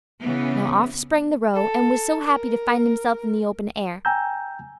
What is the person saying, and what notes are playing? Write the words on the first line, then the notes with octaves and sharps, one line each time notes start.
Now off sprang the roe, and was so happy to find himself in the open air.
C#3 E3 B3
A4
A#4
G5 G#5 A#5 E6 G6